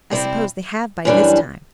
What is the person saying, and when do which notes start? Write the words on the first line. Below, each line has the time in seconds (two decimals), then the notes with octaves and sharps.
"I suppose they have by this time."
0.11 C3 G3 C4 E4
1.05 F#2 E3 G3 D4